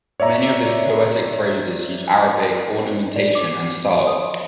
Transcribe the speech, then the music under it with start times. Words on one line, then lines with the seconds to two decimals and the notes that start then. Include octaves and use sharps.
Many of his poetic phrases use Arabic ornamentation and style.
0.20 C#5 D5 E5 A#5
3.16 D5
3.35 D6
4.07 D#6